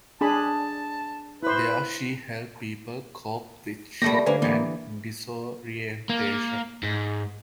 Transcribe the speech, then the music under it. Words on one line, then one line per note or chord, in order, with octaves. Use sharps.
There she helped people cope with shock and disorientation.
D4 G#4 A5 B5
E4 B4 C5
G3 A3 A#3 G4 B5 A#6
D3 A#3 B4 C5 G#5
E3 A#3 B3
A#3
G#2